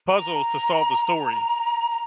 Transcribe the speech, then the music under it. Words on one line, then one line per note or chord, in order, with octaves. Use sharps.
puzzles to solve the story.
A#5
A#5